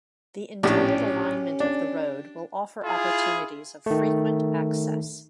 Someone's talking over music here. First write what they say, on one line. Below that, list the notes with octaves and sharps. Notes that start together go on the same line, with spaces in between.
The intended alignment of the road will offer opportunities of frequent access.
A#1 A2 C#4 D4 G4
D4
E4 F4 G#4
D#3 A3